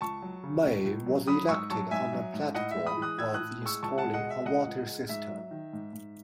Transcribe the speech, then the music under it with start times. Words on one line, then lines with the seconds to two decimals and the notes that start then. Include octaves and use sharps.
May, was elected on a platform of installing a water system.
0.01 C#2 A5 C#6
0.22 F#3
0.43 C#3
0.64 C#2
0.85 C#2
1.06 F#3
1.28 F#3 B5 D#6
1.49 G#2 C#6 E6
1.71 F#3 A5 C#6
1.91 G#2 E5 G#5
2.13 F#3
2.34 G#2
2.55 A2 D#5 F#5
2.71 E5
2.76 G#3
2.86 B5 D#6
2.97 E3
3.02 D#6 F#6
3.18 A2 E6 G#6
3.34 D#6 F#6
3.40 A2
3.61 G#3 C#6 E6
3.83 C#2 A5 C#6
3.98 F#5 A5
4.04 G#3
4.14 D#5 F#5
4.24 B2
4.30 E5
4.45 C#2 D#5 F#5
4.66 C#2
4.89 G#3
5.09 G#2 E5
5.30 F#3
5.51 D#3
5.73 G#2
5.93 G#2